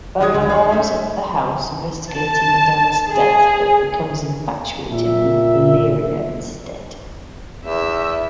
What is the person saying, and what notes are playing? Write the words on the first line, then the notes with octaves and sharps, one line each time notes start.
Bung arrives at the house, investigating Dann's death but becomes infatuated with Valeria instead.
D#3 F#3 G#3 D#5 D#6 G#6
D2
G#4 C#5 C6
C#4 D#4 E5
A5
G#4
A#2 E5
E2 E5